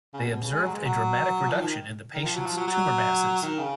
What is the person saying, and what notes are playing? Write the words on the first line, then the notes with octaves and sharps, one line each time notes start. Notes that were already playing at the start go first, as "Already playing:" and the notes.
They observed a dramatic reduction in the patient's tumor masses.
C#3
B2
B2
C#3
G#3
F#3
G#3
F#3
F3
D#3
D#3
F3
F#3
F3
F#3
F#3
D#3
C#3